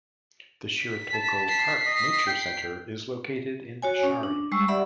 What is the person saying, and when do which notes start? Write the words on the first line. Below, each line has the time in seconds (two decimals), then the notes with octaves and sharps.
The Shiretoko Park Nature Center is located in Shari.
0.78 B6
1.14 A5
1.49 B6 C7
1.86 D#5
2.27 G5
3.82 F#4 C#5 G#5
4.03 C#4
4.23 D4
4.52 G3 G#3 C#6 E6
4.68 G4 D5 E5 F#5 B5